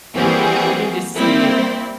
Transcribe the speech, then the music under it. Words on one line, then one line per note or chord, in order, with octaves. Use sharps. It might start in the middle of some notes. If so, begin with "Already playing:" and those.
you can just see
E3 G3 A#3 C4 F#4 G#4
G3 A#3 C4 E4